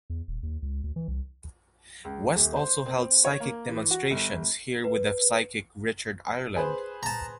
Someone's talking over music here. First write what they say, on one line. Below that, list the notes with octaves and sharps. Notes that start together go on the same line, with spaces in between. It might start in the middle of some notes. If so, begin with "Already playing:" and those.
West also held psychic demonstrations here with the psychic Richard Ireland.
E2
D#1
D#2
C#2
D2
E3
C2
C#2
D#1
C5
C4
C#5
A#3
E3
F#4
G1
B4
G#4 B4 C5
A5 A#5